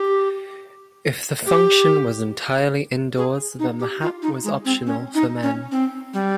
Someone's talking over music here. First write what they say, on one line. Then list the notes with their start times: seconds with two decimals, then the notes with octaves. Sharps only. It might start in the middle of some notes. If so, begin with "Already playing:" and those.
If the function was entirely indoors then the hat was optional for men.
Already playing: G4
1.47 G4
3.17 G#4
3.59 D#4
3.80 G4
4.02 F4
4.23 D#4
4.44 G#3
4.65 C4
4.87 C#4
5.15 D#4
5.43 C#4
5.72 C4
6.14 G3